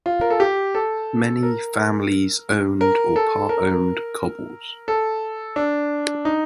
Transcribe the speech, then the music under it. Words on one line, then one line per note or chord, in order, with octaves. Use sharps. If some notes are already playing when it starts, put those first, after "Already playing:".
Many families owned or part owned cobles.
F4
A#4
A4
G4
A4
A#4
A#4
A4
A#4
A4
D4
D#4